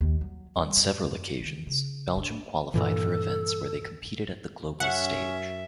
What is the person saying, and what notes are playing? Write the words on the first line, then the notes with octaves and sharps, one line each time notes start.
On several occasions, Belgium qualified for events where they competed at the global stage.
D#2
F#3
G3
F#2
D#3
C#3
D4
G2 A#2 E3 A4
F#2 C#4 E5 F#5